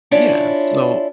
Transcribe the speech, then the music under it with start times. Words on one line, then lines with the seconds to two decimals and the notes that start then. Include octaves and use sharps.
Yeah, so
0.11 C#4 D4 E4 F4 C#5 D5